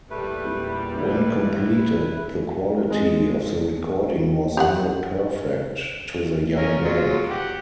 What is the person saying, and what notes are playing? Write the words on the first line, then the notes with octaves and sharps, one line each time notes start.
When completed, the quality of the recording was "near perfect" to the young band.
E2 A#2 G3 A3 B4
E4 B4
G#3
G4 E5 F#5
C#4 A#4 F5
F#3 G#3 F4
G4 F#5